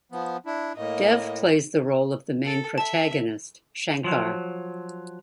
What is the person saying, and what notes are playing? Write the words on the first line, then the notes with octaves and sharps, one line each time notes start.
Dev plays the role of the main protagonist, Shankar.
F3 B3
D4 E4
A2 A#3 D#5
A4
E5 A5
F3 F#3